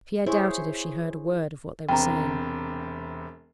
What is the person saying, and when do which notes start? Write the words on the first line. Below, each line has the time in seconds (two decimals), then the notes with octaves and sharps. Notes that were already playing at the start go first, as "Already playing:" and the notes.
Pierre doubted if she heard a word of what they were saying.
0.26 E4 G#4 C5 C#5
1.89 E1 C3 G5 A#5